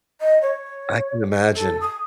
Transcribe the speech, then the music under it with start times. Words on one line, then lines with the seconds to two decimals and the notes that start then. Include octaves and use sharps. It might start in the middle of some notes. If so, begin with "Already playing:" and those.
I can imagine.
0.20 D#5
0.41 C#5
1.56 A4
1.81 D#6